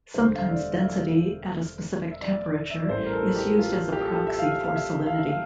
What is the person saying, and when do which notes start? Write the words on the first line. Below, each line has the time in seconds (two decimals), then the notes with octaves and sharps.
Sometimes density at a specific temperature is used as a proxy for salinity.
0.14 E1 D2 D3 G3 C5
0.35 F5
0.41 E5
0.49 D5
0.75 F5
0.84 E5
2.11 E5
2.21 D5
2.70 E5
2.80 D5
2.89 A1 A2 E3 G3 C5
3.06 A#4
3.13 A4
3.36 G4
3.58 F4
3.92 G4
4.04 A4
4.14 G4
4.27 E5
4.39 F5
4.52 E5
4.64 F5
4.76 E5
5.06 F5
5.18 E5
5.28 F5